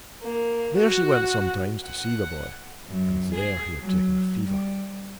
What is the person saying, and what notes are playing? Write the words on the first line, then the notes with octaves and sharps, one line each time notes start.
There she went sometimes to see the boy, and there he had taken fever.
A#3
F#4
F#5
F#2
G#4
F#3
G3